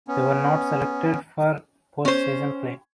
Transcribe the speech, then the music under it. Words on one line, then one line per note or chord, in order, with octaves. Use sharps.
They were not selected for postseason play.
B3 C#4
C#4 C5